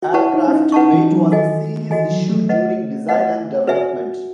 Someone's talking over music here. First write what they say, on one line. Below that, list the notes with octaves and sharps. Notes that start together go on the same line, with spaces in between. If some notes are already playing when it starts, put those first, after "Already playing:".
Aircraft weight was a serious issue during design and development.
F#4
E4 B4 F#5 A5 C#6
D#4
C#4
D#4
D#4 B4 F#5 A5 C#6
E3
F#3
E3
D#3 F#4 A4 D#5 G#5
E3 F#4 A4 D#5 G#5
F#3
A3
B4 D#5 F#5
B4 D#5 F#5
F#4 B4 E5 G#5